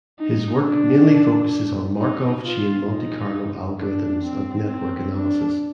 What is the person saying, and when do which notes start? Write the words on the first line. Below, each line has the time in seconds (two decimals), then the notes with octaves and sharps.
His work mainly focuses on Markov chain Monte Carlo algorithms and network analysis.
0.19 D#4
0.64 D4
1.99 D#4
2.44 F4
2.88 D#4
3.79 D4
4.22 C4
4.68 C4
5.13 D4